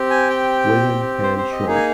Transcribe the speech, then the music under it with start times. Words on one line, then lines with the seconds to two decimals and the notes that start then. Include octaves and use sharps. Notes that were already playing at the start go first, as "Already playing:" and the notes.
William Penn Short.
Already playing: C4 G4
0.10 G#5
0.30 G5
1.23 C5
1.38 C5
1.52 D#5
1.66 A#3 D#4 G#4
1.76 G#5